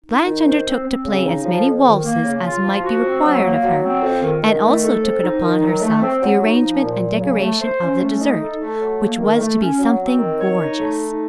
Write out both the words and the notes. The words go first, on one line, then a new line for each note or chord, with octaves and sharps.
Blanche undertook to play as many waltzes as might be required of her, and also took upon herself the arrangement and decoration of the dessert, which was to be something gorgeous.
D#4
D#3
C5
C4
C4
C#3
D#4
F3
F2
D#3
A#3
C#3
F4
F3
F#4
C4
F#3
A#3
F#3
C4
F2
D#3
D#3
A3
A4
C4
D#4
D#3
F#3
A3
C4
F#3
D#4
F3
A#2
F#3
C#3
A3
C5
C#4
A3
D#4
A4
A3
F#3
A#3
D#3
A3
C#4
F#3
C4
D#3
C#5
D#4
A3
D#4